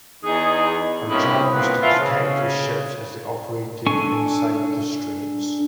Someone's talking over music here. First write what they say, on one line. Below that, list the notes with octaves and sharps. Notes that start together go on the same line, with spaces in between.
Her job was to protect those ships as they operated inside the straits.
E2 D#4 G#4
G2 C3 A#3 C#4 D#4 E4
A#2 B3 C4
E3 F3 E4 F4
C#3
D4 A4 G#5 C#6